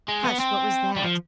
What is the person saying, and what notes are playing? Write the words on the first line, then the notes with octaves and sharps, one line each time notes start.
"Hush! what was that?"
G#3
B3
C4
G3
F3